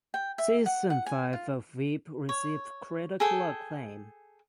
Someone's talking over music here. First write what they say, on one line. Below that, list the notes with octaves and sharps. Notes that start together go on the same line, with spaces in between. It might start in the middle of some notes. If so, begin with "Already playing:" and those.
Season five of "Veep" received critical acclaim.
G5
E5
F#5
F#5
G#5
F4
C#5
G#4 A4 G5 G#5